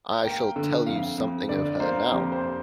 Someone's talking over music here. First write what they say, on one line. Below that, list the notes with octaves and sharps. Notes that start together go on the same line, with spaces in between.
I shall tell you something of her now.
A#3 G5
D3
F2 F5
F2
D3 D5
A#3 C5
F2 G4
C5